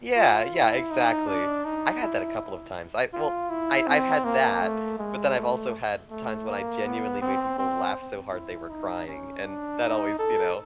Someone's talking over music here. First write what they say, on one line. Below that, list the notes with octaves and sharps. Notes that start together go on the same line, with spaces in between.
Yeah, yeah, exactly. I had that a couple of times, I well, I I've had that, but then I've also had times when I genuinely made people laugh so hard they were crying, and that always, you know,
F4
E4
D#4
D4
D#4
E4
F4
E4
C4
A#3
A3
G#3
A3
A3
A#3
B3
C4
C4
E4
D#4
C#4
D4
D#4
A4